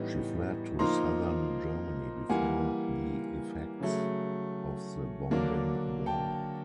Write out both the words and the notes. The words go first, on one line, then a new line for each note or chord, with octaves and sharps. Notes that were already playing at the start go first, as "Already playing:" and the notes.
She fled to southern Germany before the effects of the bombing war.
Already playing: A2 E3 G3 B3 D#4
F3 A#3 D#4 A#5 C6
E3 G3 A#3 F#5 G#5
C#3 F#3 A3
D3 F#3 A#3 D4
G5 A5